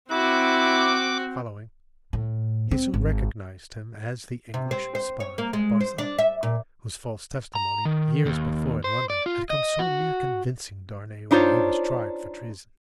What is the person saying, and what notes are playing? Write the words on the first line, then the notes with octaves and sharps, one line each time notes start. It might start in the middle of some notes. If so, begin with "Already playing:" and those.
Following, he soon recognized him as the English spy, Barsad, whose false testimony, years before in London, had come so near convicting Darnay when he was tried for treason.
C4 E4 F#4 D6
A2
C4
G#1
C3
C4
C5
C#5
A#3
G#3
C5
D4
E5
A#2
A#5
D#3
D#2
C5
D5
F4
D#5
F#4
D4 D#4 F4 C5 C#5